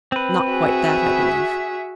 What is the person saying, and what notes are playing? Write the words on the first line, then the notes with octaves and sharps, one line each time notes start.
"Not quite that, I believe."
C4 B4
F#4 G#4 E5